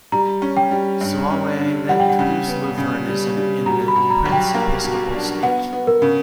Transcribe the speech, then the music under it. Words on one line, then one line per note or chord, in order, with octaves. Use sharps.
Suawe then introduced Lutheranism in the prince-episcopal state.
G3 A#5
C#4
G5
G3
G2
C#4
D3
G3 F#5
G5
F#5
C#3
B3
C#3
G3
G3
B2 A#5
B5
B2
A#5
B1
G5
A#3
B2
D4
B3 F#5
B3
A#4
C#3